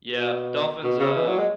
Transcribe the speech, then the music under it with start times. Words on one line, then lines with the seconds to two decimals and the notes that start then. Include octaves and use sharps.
Yeah, dolphins, um
0.17 B2
0.83 B2
0.99 C#3
1.16 E3
1.27 F#3
1.38 G#3